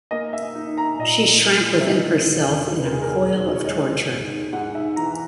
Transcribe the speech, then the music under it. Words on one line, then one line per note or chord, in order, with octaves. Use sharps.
She shrank within herself in a coil of torture.
A#3 D#5
E5
D#4
A#5
A#2 D#5
F#3
E5
D#3 D#5
E1
E1 B4
A#4
G#4
A#4
D#2
C#5
G#3 D#5
G#2
G#2 F#5
E5
E3 A#5